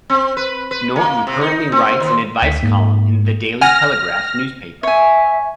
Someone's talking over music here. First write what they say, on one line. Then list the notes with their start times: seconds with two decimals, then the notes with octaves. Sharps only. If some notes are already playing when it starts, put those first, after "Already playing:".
Norton currently writes an advice column in "The Daily Telegraph" newspaper.
0.10 C4
0.37 B4
0.71 B4
0.96 A#3
1.27 C3
1.41 D#4
1.72 C4
2.00 D#2
2.42 D2 B6
2.63 G#2 A#3
3.61 F#5 G#5 F6 A#6
4.83 C#5 E5 G#5